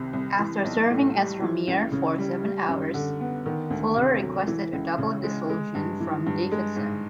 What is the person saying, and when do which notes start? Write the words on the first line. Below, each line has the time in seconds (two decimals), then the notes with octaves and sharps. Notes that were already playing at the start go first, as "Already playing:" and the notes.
After serving as Premier for seven hours, Fuller requested a double-dissolution from Davidson.
Already playing: C2 C3 D#3
0.13 C2
0.39 E3
0.65 B1
0.90 A2
1.15 G3
1.42 E3
1.67 C#2
1.92 C#3
2.18 G3
2.43 G3
2.68 F#2
2.94 D3
3.20 B3
3.46 D#3
3.70 D2
3.96 C3
4.22 F#3
4.47 E3
4.73 C#2
4.98 C#3
5.23 G#3
5.50 G#3
5.75 G2
6.00 E3
6.26 G2
6.52 G#3
6.76 G#2